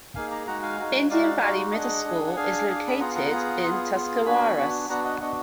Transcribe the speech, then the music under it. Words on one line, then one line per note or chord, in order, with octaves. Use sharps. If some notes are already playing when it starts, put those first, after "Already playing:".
Indian Valley Middle School is located in Tuscarawas.
A#3 D#4 G#4 F5 G#5
A#5 D6
G#3 D#4 F#4 F#5 A#5
F5 G#5
G#3 D#4 F#4
G#3 D#4 F#4 D5 F5
G#3 D#4 F#4
D4 G#4 D#5 F#5
D4 G#4
F#5
D4 G#4 F5 G#5
D4 G#4
D6
B5
B3 F4 G#4 F#5 A#5
F#5 A#5
B3 F4 G#4
B3 F4 G#4
B3 F4 G#4
B3 D4 F#4 G#5 B5
B3 D4 F#4
B3 D4 F#4 F#5 A#5
D#5 F#5
B3 D4 F#4 D#5 F#5